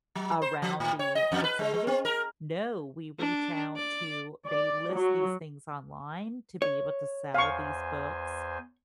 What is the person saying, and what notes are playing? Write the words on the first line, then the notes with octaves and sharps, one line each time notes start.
around the vicinity? No. We reach out to They list these things online to be able to sell these books
F#3
C5
F3
A2
C#5
D#5
F2
B4
G#3
G#3
C4
A#4
D4
D5
D5
F#3
C#5
E2 C5 F5 G#5 C#6